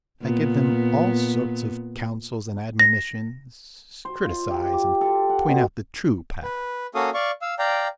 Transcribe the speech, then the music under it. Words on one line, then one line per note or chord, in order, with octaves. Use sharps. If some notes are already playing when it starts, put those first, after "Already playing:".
I give them all sorts of counsels and admonitions, criticise and point out the true path.
A#2 B3
A#6
C5
F4
G4
D6
A4
F#5
B2
B4
A#3 C#4 F#4 A4 F5 D#6
D5 F5 C#6
F5 E6
D5 F5 G5 A#5